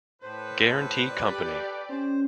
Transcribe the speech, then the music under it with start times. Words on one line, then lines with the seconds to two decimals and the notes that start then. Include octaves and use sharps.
Guarantee Company.
0.22 A2 A4 B4 C5
1.09 G4 D5
1.89 C#4 C5